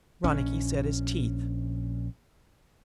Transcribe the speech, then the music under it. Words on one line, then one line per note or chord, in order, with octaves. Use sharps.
Ronicky set his teeth.
A#1 C#4